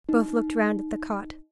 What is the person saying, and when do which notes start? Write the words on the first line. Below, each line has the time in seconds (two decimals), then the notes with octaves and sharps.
Both looked round at the cot.
0.09 D#4